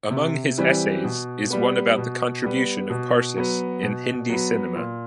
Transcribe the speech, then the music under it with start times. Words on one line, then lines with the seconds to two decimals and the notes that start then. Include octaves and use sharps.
Among his essays is one about the contribution of Parsis in Hindi cinema.
0.10 C3
0.58 E3 G3 C4
1.04 B2
1.50 G3 B3
1.98 B2
2.44 G3 B3
2.90 B2
3.37 F#3 B3
3.83 B2
4.29 F#3 B3
4.76 A#2